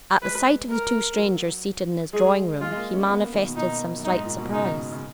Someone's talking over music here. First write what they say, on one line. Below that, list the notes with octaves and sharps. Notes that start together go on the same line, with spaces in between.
At the sight of the two strangers seated in his drawing-room, he manifested some slight surprise.
G#3 B4
A#4
F#3
G#3 G#4
G#3 F4
G#3
A#3
C#4
B3
A#3
D#3
B2
B2 D#4
F#2
D#4
G#2
A#2
B2
C#3 D#4
C#3